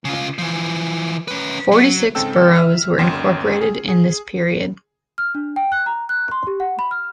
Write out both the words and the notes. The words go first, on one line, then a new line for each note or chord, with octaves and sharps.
Forty-six boroughs were incorporated in this period.
C#3 F4
E3 F3
C#4 B4
F#3
G#2 C#3 C4 A4 G5 E6
E5 F6
G1 D#2 C#4 G5 C6 E7
G#4
G#4
F6
D4
G5
F#6
A#5
F#6
C6
G4
F#5
B5
F6